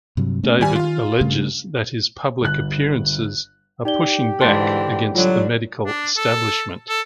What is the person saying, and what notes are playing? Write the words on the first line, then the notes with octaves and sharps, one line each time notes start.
David alleges that his public appearances are pushing back against the medical establishment.
G2 C3 F#3
A3 C#4
D2 D#3 G3 G#5
F4 F5
G2 C#3 A3
G1 F#6
D#4 G4 D5 G7
G#2 D3 E3 A5 C6 A6
D3 F#3 G3 F4
D4
A4
A4